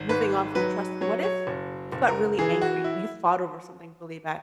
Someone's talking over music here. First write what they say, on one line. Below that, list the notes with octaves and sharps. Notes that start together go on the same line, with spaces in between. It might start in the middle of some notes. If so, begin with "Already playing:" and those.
moving on from trust, what if you got really angry? You fought over something really bad.
Already playing: G#1
G#2 B4
F#3 B4
F#3 C#5
C#5
F#1
F#1
A#4
E3 G#4
F#4
E4